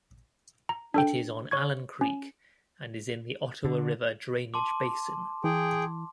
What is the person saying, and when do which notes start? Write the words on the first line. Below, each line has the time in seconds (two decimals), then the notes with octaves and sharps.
It is on Allen Creek and is in the Ottawa River drainage basin.
0.69 A#5
0.94 D4 A4 G5
1.51 C#5 C#6 G#6
2.01 C#4
3.65 D3
4.54 A5 C6 D6
5.44 E3 G#4 G5